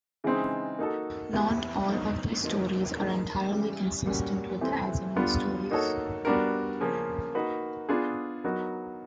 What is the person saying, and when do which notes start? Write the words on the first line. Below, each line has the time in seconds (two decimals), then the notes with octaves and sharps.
Not all of these stories are entirely consistent with the Asimov stories.
0.24 C#3 E3 G#3 C4 D#4
0.79 A#3 D#4 F#4 A4
1.33 B3 E4 G4
1.88 D3 F#3 B3 D#4
2.43 C3 F3 A#3 D#4 F#4
2.97 D3 F3 A#3 D#4 G#4
3.52 C#3 E3 G3
4.06 A#2 G3 A#3 C#4 F#4
4.61 C3 E3 A3 C4
5.16 D3 G3 B3 D4 F4
5.71 A#3 D#4 F#4 A4 C#5
6.25 G3 B3 D4 F#4 A#4
6.80 C#3 F3 A#3 C#4
7.35 A#3 D#4 F#4 B4
7.89 B3 D4 F4 G#4
8.44 F#3 B3 D#4 F#4 A#4